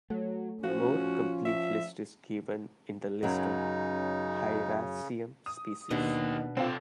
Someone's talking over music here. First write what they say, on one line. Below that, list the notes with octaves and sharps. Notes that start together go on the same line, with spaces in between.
A more complete list is given in the list of "Hieracium" species.
F#3 A3
F3 C#4 F#4
E5
F#2 C#3 F#3 D#4
D#6
D#2 B2 B3 D4 G4 D#5
C3 C4 F4 A4